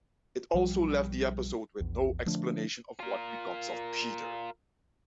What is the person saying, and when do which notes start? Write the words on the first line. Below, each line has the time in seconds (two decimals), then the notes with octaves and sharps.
It also left the episode with no explanation of what becomes of Peter.
0.54 B1 F3 G3
1.80 A#1 E2
2.26 D3 F3 A3 D4
3.00 F4 A#4